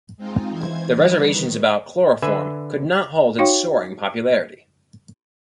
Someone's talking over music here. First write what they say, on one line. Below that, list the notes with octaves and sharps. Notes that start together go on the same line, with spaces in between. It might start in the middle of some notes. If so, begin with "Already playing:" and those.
The reservations about chloroform could not halt its soaring popularity.
G#3 C4 D#4 F4
E3 C5 G#6
E3 G3 D#4 B4
D#3
D3 B4 E5 G#5
D#4 F#4 C#5 F5 G5 C#6